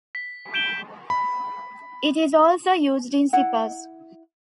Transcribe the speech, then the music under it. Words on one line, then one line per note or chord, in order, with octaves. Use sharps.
It is also used in zippers.
B6
G6 D7 E7 G7
B5
E4 F#5